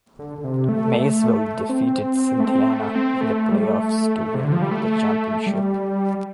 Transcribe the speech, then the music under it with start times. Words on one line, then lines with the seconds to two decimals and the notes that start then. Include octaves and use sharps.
Maysville defeated Cynthiana in the playoffs to win the championship.
0.19 D3
0.38 D3
0.44 C3
0.69 A3
0.93 A3
1.69 C4
2.40 A3
2.45 C4
2.70 A3
2.96 C4
3.21 A3
3.51 G3
3.58 A3
4.35 C3
4.44 D3
4.52 F3
4.62 G3
4.71 A3
5.47 G3